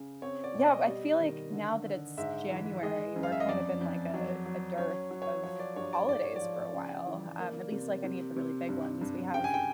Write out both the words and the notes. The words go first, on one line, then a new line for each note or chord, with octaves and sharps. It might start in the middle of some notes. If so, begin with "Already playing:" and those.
yeah, I feel like now that it's January, we're kind of in, like, a a dearth of holidays for a while, um, at least, like, any of the really big ones, we have,
Already playing: C#3
C4 C#5
D5
B2 D5
D#5
G3
D#3
D3
D3
G#2 E5
E3
G#3 D#5
F#2
F5
E5
D#5
F2 D5
F2
F#3
F#3
C#4 C#5
F#3
C#5
F3 C#5
D5
G2 C#5
D5
G#2 D5
C#5
D5
F3
C#3
E3
A#3
C3
C3
C3
G2
G2
C#3 G5
G#5
G5